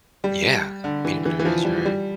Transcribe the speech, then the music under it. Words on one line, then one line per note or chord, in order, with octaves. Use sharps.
Yeah, peanut butter is, right.
G3
D3
E3
E3
E3
F3
G3
G3